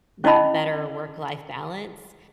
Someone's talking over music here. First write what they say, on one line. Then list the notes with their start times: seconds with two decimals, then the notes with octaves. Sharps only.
that better work-life balance.
0.24 C#4 E4 D#5 A5 B5